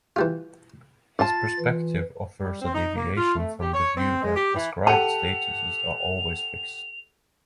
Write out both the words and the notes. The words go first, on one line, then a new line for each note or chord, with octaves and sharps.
His perspective offers a deviation from the view that ascribed statuses are always fixed.
E3 G3 F4
F4 A5 A6
E3
G3
C4
D#4
A#3
F4
A3
G4
C#5
C4
G#3
G4
E3
G4 A4 F#5 A5 F7